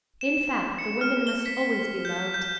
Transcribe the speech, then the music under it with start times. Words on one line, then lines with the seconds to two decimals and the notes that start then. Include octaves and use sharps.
In fact, the women must always be loved.
0.21 E7
0.79 C#7
1.01 F6
1.27 G7
1.46 B6
2.05 G6
2.34 G6